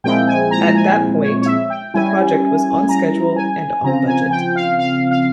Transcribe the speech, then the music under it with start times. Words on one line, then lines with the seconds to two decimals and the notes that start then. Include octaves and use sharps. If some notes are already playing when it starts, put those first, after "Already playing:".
At that point, the project was on schedule and on budget.
0.04 A#2 F3 G#3 C4 E4 G5
0.28 G#5
0.51 A#5
0.75 G#5
1.22 C#5
1.41 C#5
1.46 E5
1.70 G5
1.94 G3 C#4 E4 G#5
2.89 A#5
3.36 G#5
3.83 C#3 F3 C4 F4 A#5
4.08 G#5
4.31 G5
4.56 F5
4.79 F5
5.11 F5